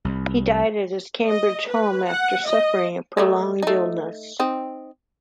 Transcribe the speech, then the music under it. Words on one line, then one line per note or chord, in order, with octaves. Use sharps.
He died at his Cambridge home after suffering a prolonged illness.
C2
D#5
B4
F#5
D#5
F#3 G#3 A3
A3 D#4
C4 D#4